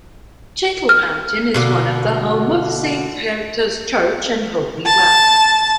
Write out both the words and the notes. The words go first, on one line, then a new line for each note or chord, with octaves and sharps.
Chittlehampton is the home of Saint Hieritha's church and holy well.
F6
B2 D3 A#3
A5